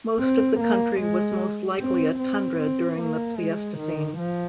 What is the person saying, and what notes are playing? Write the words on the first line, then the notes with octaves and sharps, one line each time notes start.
Most of the county was most likely a tundra during the Pleistocene.
C4
A#3
G#3
C4
C4
C4
A#3
G#3
D#3
F3